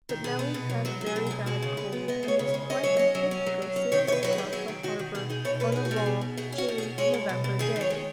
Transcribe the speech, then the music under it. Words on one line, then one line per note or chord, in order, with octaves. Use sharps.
But Nellie had a very bad cold and was quite unfit to go sailing across the harbour on a raw, chilly November day.
D#3
B2 G#4
B3
B2
F#3
F#3 F#4
F#3
G#4
B2
G#4
B2
G#3 F#4
C#3
G#3 B4
B3
B3 D#5
G#3
C#5
C#3
C#5
G#3
C#4 D#5
F#3 C#5
C#4 D#5
F#3
C#4
F#3
F#3
C#4
D#3 C#5
D#3 B4 C#5
F#3 B4
G#4
D#3
F#3 G#4
D#3
D#3 F#4
D#3
B2 G#4
D#4 G#4
B2 C#5
B2 B4
D#4 G#4
F#4
B2
G#4
B2
B2
B2 G#4
C#4
F#4
B2
G#4
B2
G#3 C#5
B2
B2
B2
D#3 G#4
D#3
C#5
G#3